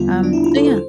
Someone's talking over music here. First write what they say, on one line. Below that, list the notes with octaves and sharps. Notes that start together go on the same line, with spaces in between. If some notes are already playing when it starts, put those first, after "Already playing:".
Um, so yeah.
Already playing: E2 D3 G3 B3 F4
D4
E4
F4
A4
C5